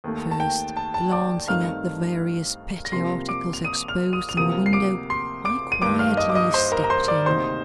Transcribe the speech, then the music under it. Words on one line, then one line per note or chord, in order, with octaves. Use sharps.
First glancing at the various petty articles exposed in the window, I quietly stepped in.
D#2 D#3 A3
A5
G5
A5
A5
D5 D6
G2 D#3 A3 C4 D#4 F5 F6
A#6
C2 C3 F3 A#3 C6 C7
D6 D7
F7
D#6 D#7
F6 F7
D#6 D#7
F7
D2 C3 F3 A#3 D#6 D#7
C7
D6 D7
C6 C7
D6 D7
D#7
G2 D#3 A#3 D6 D7
F5 F6
D#5 D#6
D6
D#5 D#6
C5 C6
A#4 A#5
A#5
C5 C6
D5 D6
D2 C3 D#3 A#3 D#4 C5 C6